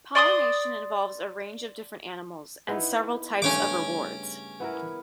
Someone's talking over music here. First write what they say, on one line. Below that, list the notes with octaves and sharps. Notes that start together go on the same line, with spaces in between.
Pollination involves a range of different animals, and several types of rewards.
D5 C6 C#6 D#6
B3 D#4 E4
G2 C#3 A3 C#4 C#5 D6
B3 E4 A#4